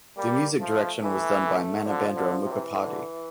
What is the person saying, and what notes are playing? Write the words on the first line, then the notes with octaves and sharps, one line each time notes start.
The music direction was done by Manabendra Mukhopadhyay.
G3 A#3
F3 A3
E3 A3
A3
D3 F3
F3
D3
F3
C3
E3
D3